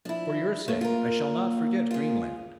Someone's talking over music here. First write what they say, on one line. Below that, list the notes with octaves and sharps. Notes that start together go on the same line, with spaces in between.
"For your sake I shall not forget Greenland."
F3 D4 E4
C#3 A3 A#3
F4 A#4
F4 G#4